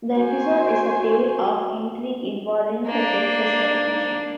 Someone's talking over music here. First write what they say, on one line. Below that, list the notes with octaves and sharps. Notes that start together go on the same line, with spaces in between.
The episode is a tale of intrigue involving the Texas Revolution.
F#4 C5 G#5
A#3 D4